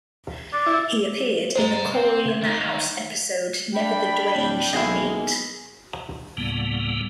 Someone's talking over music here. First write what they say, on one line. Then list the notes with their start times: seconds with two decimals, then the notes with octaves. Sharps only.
He appeared in the "Cory in the House" episode "Never the Dwayne Shall Meet".
0.53 D5
0.66 E4
1.56 A3 G#4 C5 A#5
1.94 C4
2.25 C#3 G#6
2.41 D#2 D#4
3.75 D4 G5 B5
4.36 D1
4.73 B1 G#3 A#3 E4 G#4
6.37 D2 A2 C#3 G3 A#3 B3